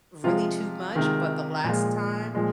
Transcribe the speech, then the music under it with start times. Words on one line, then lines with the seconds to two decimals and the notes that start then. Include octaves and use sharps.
really too much, but the last time
0.24 C3 F3 G#3 F4
0.95 C3 D#3 G#3
1.64 A#2 F3 G#3 F4
2.35 A#2 F3 G#3